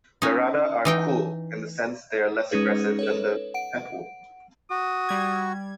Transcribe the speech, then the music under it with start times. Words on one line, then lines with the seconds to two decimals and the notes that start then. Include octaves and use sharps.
The Rada are "Cool" in the sense they are less aggressive than the Petwo.
0.22 C#4 D#4
0.85 E3 D#4 G5
2.51 G#3 C#4 D#4 G#4 B4
2.99 A4 B4 C#5
3.54 F#5 D7
4.70 F#4 D#6
5.09 G3 G#6